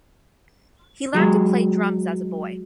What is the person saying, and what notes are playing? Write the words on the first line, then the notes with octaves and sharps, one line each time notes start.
He learned to play drums as a boy.
F#3 G#3